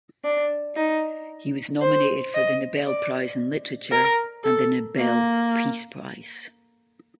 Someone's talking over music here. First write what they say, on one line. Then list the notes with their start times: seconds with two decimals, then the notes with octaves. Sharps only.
He was nominated for the Nobel Prize in Literature, and the Nobel Peace Prize.
0.24 D4
0.77 D#4
1.82 C5
2.34 D#5
2.86 D5
3.92 A#4
4.44 A4
4.97 A#3